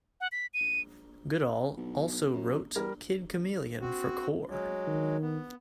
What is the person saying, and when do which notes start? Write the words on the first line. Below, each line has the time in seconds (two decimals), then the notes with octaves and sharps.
Goodall also wrote Kid Chameleon for Cor!!
0.21 F#5
0.32 B6
0.54 D#7
1.77 B1
2.33 F#2
2.76 E2 G3 A#4
3.81 C4 F#4
4.49 F#3 G#3
4.87 D#3
5.22 B3